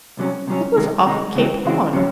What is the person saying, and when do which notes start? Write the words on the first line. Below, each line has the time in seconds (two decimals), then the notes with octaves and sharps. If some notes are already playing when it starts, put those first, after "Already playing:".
It was off Cape Horn.
0.17 C2 C3 F#3 C#4
0.47 C2 C3 F#3 C#4
0.76 C3 D#3 G#3 D#4
1.06 C3 D#3 G#3 D#4
1.35 C#2 C#3 E3 G#3 C4
1.65 C#2 C#3 E3 G#3 C4
1.93 C3 F#3 C#4